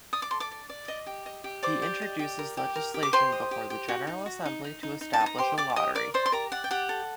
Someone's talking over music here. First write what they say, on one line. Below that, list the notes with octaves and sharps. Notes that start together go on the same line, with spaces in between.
He introduces legislation before the General Assembly to establish a lottery.
D5 D#6
D6
A4 C6
D5 D6
D5
D5
D#5
G4
D#5
G4
C5 D5 D6
G4
D#5
G4
A#4
G4
A#4
G4
D6
G4 C5 C6
D#5
G4
G4
F#4
D#4
F#4
D#4
D#4
D#4
D#4
A5
D#4
A#5
G4 C5 C6
G4 D5 D6
D6
G4 D#5 D#6
A#4 D5 D6
C5 D5 C6
C6
G4 A#4 A#5
D5 F#5
G5
G4 F#5
A4